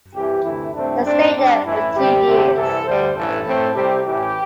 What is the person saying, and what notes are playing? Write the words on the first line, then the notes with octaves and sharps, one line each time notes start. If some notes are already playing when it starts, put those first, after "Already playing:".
They stayed there for two years.
C2 C3 E3 G4
D2 C3 E3 A3 E4
C2 C3 A3 C4 D4
A2 A3 C4 D4
G2 G3 C4 D4
A1 A2 E3 E4
D2 C3 G3 C4 G4
E2 D3 A3 C4
C2 C3 E3 A4
D2 D3 G3 C5
A1 G2 E3 A4
A2 A3 C4
C2 C3 G3 C4 G4
A1 A2 E3 G4